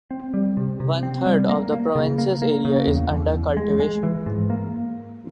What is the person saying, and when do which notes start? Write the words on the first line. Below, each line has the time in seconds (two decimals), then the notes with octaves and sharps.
One third of the province's area is under cultivation.
0.11 C4
0.34 G3
0.57 C3
0.80 C3
1.03 C4
1.26 G3
1.49 A#3
1.72 A#3
1.95 C#3
2.18 A#3
2.42 A#3
2.65 C#3
2.87 E2
3.10 E2
3.34 E2
3.57 G#3
3.80 G#3
4.03 E3
4.26 G#2
4.50 A#3